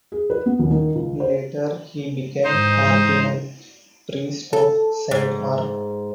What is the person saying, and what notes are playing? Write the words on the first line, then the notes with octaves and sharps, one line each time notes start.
Later he became Cardinal-Priest of Saint Mark.
G#4
B4
B3
D#1
D#3
C#2
C5
G#2 E3 G#3 D#4 C5
A4
G#2